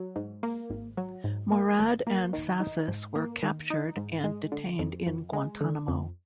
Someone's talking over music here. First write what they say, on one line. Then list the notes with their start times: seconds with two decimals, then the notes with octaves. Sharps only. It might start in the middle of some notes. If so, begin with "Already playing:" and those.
Mourad and Sassis were captured and detained in Guantanamo.
Already playing: F#3
0.16 G#2
0.43 A#3
0.70 G#1
0.97 F#3
1.24 G#2
1.52 A#3
1.79 G#1
2.07 A#3
2.33 D#3
2.60 D#4
2.88 G#2
3.15 A#3
3.43 D#3
3.70 D#4
3.97 G#2
4.24 G#3
4.52 D3
4.79 F2
5.07 F2
5.33 G#3
5.61 D3
5.88 F2